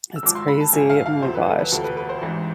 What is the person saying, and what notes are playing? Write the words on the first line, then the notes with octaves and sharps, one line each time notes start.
It's crazy. Oh my gosh.
E6
G#1 G#2 F3 D6
C6
B5
A5
G#1 G#2 F3 G#5
F5
F5
E1 D2 C3 F3 C5
B4
A4
B4
E1 D2 C3 F3 A4
B4
B4
C5
A1 G#2 E3